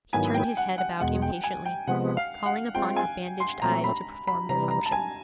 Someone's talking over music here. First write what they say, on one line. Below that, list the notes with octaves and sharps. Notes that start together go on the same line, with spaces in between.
He turned his head about impatiently, calling upon his bandaged eyes to perform their function.
G#2 D#3 F#3 B3 E4 G#5
G5
F#5
F#5
E2 B2 G#3 F#5
G5
G#5
G5
C3 F3 G#3 B3 F#5
F5
F#5
G#3 C4 F4 G5
G#5
C6
A#2 F#3 A3 C4 A#5
B5
B5
C3 E3 G3 A#5
A#5
A5
G#5